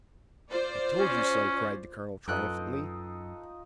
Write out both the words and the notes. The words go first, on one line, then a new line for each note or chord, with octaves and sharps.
"I told you so," cried the colonel, triumphantly.
F4 C5 D5
C#4
F#2 D#4 F4 A4 B4 D#5 G5 F#6